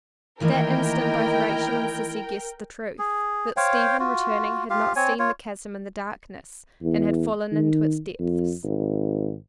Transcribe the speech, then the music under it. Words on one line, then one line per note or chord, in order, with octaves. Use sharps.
That instant both Rachel and Sissy guessed the truth--that Stephen, returning, had not seen the chasm in the darkness, and had fallen into its depths.
D#3 E3 A3 A#3 E4 A#4 D#5 G5
G#4
C5 C#5 F5 G5
F4 F#4
F4 G4 F5
C4 C#5 G#5
F4 C#5
E2
D#3
F2
G#1